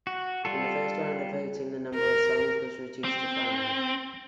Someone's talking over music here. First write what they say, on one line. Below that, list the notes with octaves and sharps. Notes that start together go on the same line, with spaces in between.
In the first round of voting, the number of songs was reduced to five.
F#4
G3 F4 A4
A#4
C4